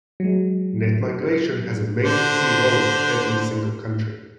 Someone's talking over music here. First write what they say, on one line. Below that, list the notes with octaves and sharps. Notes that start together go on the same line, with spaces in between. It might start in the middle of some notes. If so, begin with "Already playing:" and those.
Net migration has a major key role in every single country.
F#3 G#3
D3 C5